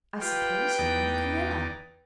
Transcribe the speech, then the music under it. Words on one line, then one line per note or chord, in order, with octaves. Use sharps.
"I suppose you mean Camilla?"
F4 G4 B4 G5
E2 D#4 D5